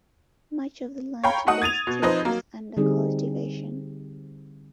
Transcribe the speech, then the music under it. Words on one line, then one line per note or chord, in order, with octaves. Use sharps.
Much of the land today still is under cultivation.
C#5 F5 G5 A#5 B5
A3 D#4 F#4 F#5 D#6
G#6 A6 D#7 F7
B2
F3 C4 D#4 B4 C5 D#5
F#3 A#3
D3 G3 C4 D#4 G#4